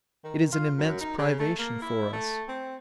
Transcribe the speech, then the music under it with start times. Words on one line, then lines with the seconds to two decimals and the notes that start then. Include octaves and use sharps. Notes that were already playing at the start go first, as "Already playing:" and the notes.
It is an immense privation for us.
0.24 D#3
0.52 F4
0.78 F#2
1.01 D#4
1.19 C#3
1.40 A3
1.59 A#3
1.82 E4
2.13 A3
2.48 C4